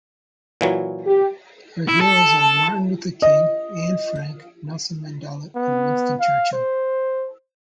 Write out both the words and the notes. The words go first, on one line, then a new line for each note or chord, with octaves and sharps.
Her heroes are Martin Luther King, Anne Frank, Nelson Mandela and Winston Churchill.
A#2 E3 F#3
G4
E4
A4 A5
D#5
B3
F5
C5